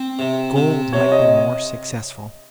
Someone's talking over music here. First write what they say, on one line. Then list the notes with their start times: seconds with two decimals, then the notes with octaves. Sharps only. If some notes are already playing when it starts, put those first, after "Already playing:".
Gold might be more successful.
Already playing: C4
0.19 C3
0.56 C3
0.93 C3 C#5
1.12 D#5